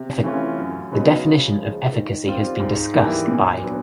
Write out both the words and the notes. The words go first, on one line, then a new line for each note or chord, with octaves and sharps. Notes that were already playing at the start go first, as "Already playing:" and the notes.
The definition of efficacy has been discussed by.
Already playing: C3
E3 A3 C#4 F4
F#2
C#3 F#3 B3 D#4
C#3
F3 G#3
D#3
G3 C4 F4
G#2
E3 G3 A#3
A#2
F#3 B3 D4